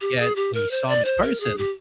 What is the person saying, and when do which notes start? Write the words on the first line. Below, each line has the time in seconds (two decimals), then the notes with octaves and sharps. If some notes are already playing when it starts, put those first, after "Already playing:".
Yet when you saw him in person,
0.01 G4
0.19 G#4
0.36 G4
0.54 A#4
0.71 C5
0.88 D5
1.05 C5
1.22 A#4
1.40 G#4
1.58 G4